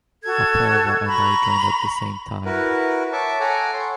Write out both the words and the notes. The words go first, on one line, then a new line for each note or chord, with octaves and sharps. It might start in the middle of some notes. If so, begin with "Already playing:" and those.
Apurva and I joined at the same time.
F#4 A4 G#6
A#5 B5 C#6
E4 F#4 A#4 B4
C#5 E5 A5 C#6 D6
A4 F#5 G#5 A#5 D6
C#5 C6